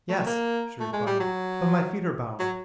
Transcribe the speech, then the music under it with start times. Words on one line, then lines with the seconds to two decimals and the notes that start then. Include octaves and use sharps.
"Yes," she replied, "but my feet are bound."
0.09 A3
0.26 A#3
0.80 A3
0.93 G#3
1.06 G3
1.20 F#3
2.39 F#3